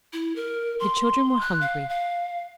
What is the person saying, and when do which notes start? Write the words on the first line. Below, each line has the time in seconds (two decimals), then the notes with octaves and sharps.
The children were hungry.
0.13 E4
0.36 A#4
0.80 C6
1.41 F#6
1.61 F5
1.89 F5